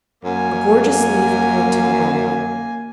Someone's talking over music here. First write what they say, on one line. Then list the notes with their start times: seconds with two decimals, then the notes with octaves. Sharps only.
A gorgeous leaf blew into the wagon.
0.24 F#2 A#3 G#5